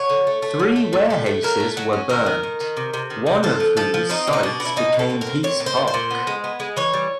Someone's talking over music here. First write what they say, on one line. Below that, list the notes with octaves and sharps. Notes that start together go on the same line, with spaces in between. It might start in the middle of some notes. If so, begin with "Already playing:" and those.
Three warehouses were burned, one of whose sites became Peace Park.
Already playing: F#3 C#5
D3
A3
A3
D3
A3
A2
A3
A3
F#3 A#4
A3
F#3
C#4
D#3 A#4
D#3
D#3
D#3
C3
C3
D#3
C3
A#3 A4
F3
F3 A4
F3
C4 D#4
B2
D#4
B2 D4
B2
E4
B2 D#4
B2
A4
C4
A#4
C4
A#2 C#5
A#2
C5
A#2
C5
A#2
B3
G#3
B3
G#3
E3 C#5
G3